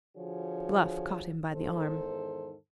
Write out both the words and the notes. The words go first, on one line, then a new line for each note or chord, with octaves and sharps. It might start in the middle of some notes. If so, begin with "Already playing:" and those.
Bluff caught him by the arm.
D3 F3 F#4 G#4 C#5
E2 G#2 D#3 A4 C5